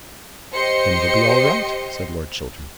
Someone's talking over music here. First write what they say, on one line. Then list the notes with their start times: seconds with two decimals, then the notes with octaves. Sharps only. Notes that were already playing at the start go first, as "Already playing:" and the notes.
"Then it'll be all right," said Lord Chiltern.
0.54 G4 C5 D#5 C6 C#7